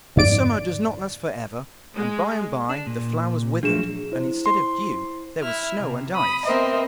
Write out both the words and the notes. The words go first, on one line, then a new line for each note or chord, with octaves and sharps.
But summer does not last for ever, and by-and-by the flowers withered, and instead of dew there was snow and ice.
G1 F2 G#2 D5 D7
G#3
D4
A#2
F3 F#3 A3 D4 G#4 E7
E4 C5
C6
E4 F6
C3
B5 D#6
B3 C4 A#4 C5 D#5 E5